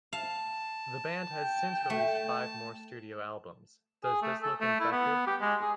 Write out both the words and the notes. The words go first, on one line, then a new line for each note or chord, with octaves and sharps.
The band has since released five more studio albums: Does This Look Infected?
F5 A5
G5
A3
G#4
A3
A4
A3
E4
B3
G4
G#3
G#4